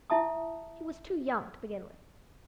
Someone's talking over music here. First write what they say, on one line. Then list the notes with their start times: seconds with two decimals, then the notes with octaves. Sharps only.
He was too young, to begin with.
0.10 E4 E5 A5 D#6